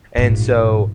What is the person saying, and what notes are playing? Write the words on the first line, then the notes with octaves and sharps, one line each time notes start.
and so
A#1 G#2